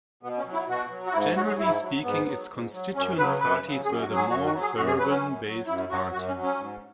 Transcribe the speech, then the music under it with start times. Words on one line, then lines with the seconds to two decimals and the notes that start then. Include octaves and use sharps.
Generally speaking its constituent parties were the more urban based parties.
0.23 B2 B3
0.38 C#4
0.46 F#3
0.53 E4
0.68 B2 F#4
0.91 F#3
1.06 F#4
1.13 G#2 E4
1.36 F#3 F#4
1.47 G#4
1.59 G#2 E4
1.82 F#3
2.04 G#2 B3
2.26 F#3
2.50 G#2
2.72 F#3
2.95 F#2 C#4
3.18 C#3 F#3 B4
3.40 F#2 B4
3.63 C#3 F#3
3.85 F#2 G#4
4.01 F#4
4.08 F#3
4.15 G#4
4.31 F#2 F#4
4.46 F#4
4.53 F#3
4.61 G#4
4.76 F#2 F#4
4.87 G#4
4.99 F#3 B4
5.10 C#4
5.22 F#2
5.44 F#3
5.67 F#2 E4
5.90 F#3 F#4
6.12 F#2 F#4
6.28 C#4
6.35 F#3
6.43 C#4
6.58 G#2